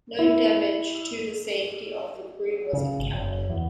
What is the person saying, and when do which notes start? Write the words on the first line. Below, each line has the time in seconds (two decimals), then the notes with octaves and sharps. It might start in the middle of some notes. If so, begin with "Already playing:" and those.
No damage to the safety of the crew was encountered.
0.19 E4
2.73 C#3
2.99 G#1
3.13 F#1
3.49 E2